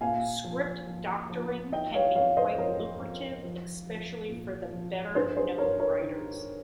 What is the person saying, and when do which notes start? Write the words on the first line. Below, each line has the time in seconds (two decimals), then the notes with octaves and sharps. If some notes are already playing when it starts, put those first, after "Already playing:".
Script-doctoring can be quite lucrative, especially for the better-known writers.
0.01 A#2 F5 G#5
0.44 F3
0.87 F3
1.30 F3
1.72 D#3 D#5 G5
1.94 C#5 F5
2.15 F2 C#5 F5
2.37 C5 D#5
2.58 F2 A#4 C#5
3.01 F2
3.45 F3
3.87 F3
4.29 A#2
4.72 F3
5.15 G2 G#4 C5
5.37 G#4 C5
5.58 G2 A#4 C#5
5.79 A#4 C#5
6.01 D#3